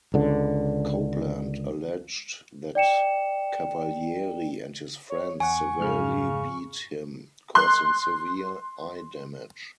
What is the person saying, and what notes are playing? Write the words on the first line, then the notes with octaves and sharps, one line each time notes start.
Copeland alleged that Cavalieri and his "friends" severely beat him, causing severe eye damage.
C#2 D3
D5 G5 C#7 E7
C#5
E2 F#5 G#5 C#6
F2 G#2 C#3 F6
C6 F#6